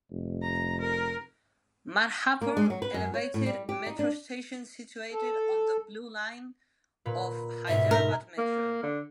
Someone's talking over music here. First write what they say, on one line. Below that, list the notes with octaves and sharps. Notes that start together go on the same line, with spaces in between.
Madhapur elevated metro station situated on the Blue Line of Hyderabad Metro.
F1
A#5
A#4
A#3
G#3
F#3
B4
F#2
C#5
A2
G3
G4
D#4
D4
A4
A#2 B4
G#2 B2 E5
A#4
A#3
D3